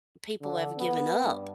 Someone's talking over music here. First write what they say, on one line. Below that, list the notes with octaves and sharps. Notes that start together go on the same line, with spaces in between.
people have given up,
D3
B3
G2